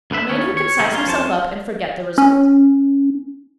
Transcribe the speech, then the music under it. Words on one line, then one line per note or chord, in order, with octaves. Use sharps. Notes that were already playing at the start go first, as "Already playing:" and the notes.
A man who can size himself up and forget the result.
D2 D3 B4 E5
D#2 A3 B3 C#4
C#5
C3 D#3 G3 A#3 C4
G3 A#3 C#4 F4
F2 C#4 C5 A5
C#4